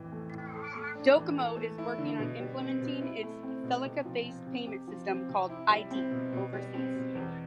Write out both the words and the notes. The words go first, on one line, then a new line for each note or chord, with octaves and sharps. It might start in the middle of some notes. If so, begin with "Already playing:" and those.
Docomo is working on implementing its FeliCa-based payment system, called iD, overseas.
Already playing: F2 A2 E3
A3
A2
A4
A3
D4
E3
A4
A3
E4
D3
B2
G3
C4
B2
E4
A3
C4
B2
C3
F3
C4
C3
G4
F3
C4
C3
E4
G3
C4
B2
B2
G3
C4
B2
E2